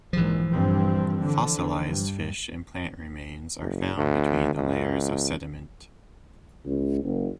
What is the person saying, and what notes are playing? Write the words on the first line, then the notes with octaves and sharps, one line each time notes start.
Fossilised fish and plant remains are found between the layers of sediment.
A#1 G#2 E3 F3
A#1 G2 C4
D3
G2
F#1
D2
C#2
C#2
F#1